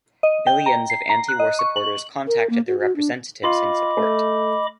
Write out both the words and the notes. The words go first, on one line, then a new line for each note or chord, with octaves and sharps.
Millions of antiwar supporters contacted their representatives in support.
D#5
G5
A#5
C7
A#5
F#6
D#5
C#6
F#7
A#4
A#3
F#4
F#4
D4
F4 D#5 B5 C6 D6 F#7
A3